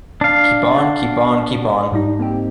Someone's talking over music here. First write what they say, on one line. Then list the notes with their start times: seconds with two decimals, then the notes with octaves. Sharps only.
Keep on, keep on, keep on.
0.21 D4 F5
0.78 F#5
1.92 G#2 G3 D#4
2.19 A#3 C4 G4